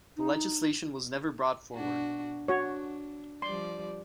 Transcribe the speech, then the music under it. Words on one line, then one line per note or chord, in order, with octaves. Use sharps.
The legislation was never brought forward.
D#4
B2 D4 F#4
D4 F#4 C#5
F3 G3 D5 C6